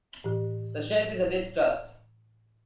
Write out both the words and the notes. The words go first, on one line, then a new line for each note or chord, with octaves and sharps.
The shape is a dead crust.
A2 E3 G4